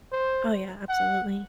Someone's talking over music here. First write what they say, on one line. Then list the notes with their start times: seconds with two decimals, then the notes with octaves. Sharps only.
Oh, yeah, absolutely.
0.12 C5
0.89 F#5